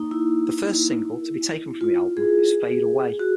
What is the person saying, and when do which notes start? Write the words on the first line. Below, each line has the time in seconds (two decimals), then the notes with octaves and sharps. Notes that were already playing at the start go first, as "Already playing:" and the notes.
The first single to be taken from the album is "Fade Away".
Already playing: A#3 D#4
0.11 E4
1.81 F4
2.17 G#4
3.19 F#4